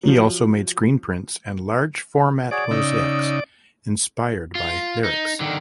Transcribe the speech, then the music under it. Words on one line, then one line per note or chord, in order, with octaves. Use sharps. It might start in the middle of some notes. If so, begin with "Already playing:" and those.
He also made screen prints and large format mosaics inspired by lyrics.
F3 F#3
F#4 G#4 C#5 D5
C#3 D#4 D#5 E6
F4
D#4
D3 D#3